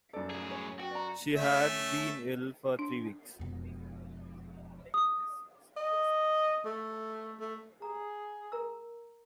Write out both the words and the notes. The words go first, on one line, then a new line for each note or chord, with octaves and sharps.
She had been ill for three weeks.
F#2 A4 D5
A2 G#4
C#5
F#4 G5
D5 A#5
A3 C#4 E5
D4
E1 F2
D#6
D#5
A3
A3
G#4 A#5
A#4 A#5 E6